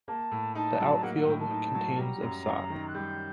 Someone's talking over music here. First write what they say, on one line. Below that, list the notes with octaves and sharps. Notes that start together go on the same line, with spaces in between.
The outfield contains of sod.
A#3 A5
A2
D#4 A5
F#3
A#3 F#5
F#5
A2 G5
A5
D#4
F#3
G3 A#5
F#2
F#2
D#3
F#6
G3 G6